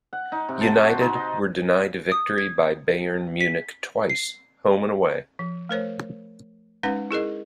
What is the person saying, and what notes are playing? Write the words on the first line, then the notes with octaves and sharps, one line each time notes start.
United were denied victory by Bayern Munich twice, home and away.
F#5
D#4
C3
A5
F#4
C5
D#4
D#5
D#6
G#6
B6
C7
F3
A3 A#4 C5 C#5
G#3 C#4 D#4 B4 F#5
E4 G#4 A#4 D#5